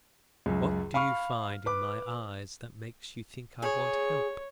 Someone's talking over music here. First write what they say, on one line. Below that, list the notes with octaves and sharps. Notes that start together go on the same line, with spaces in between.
"What do you find in my eyes that makes you think I want help?"
C#2 F#2
F5 B5 C#6 F6
B4 D6
G#4 C#5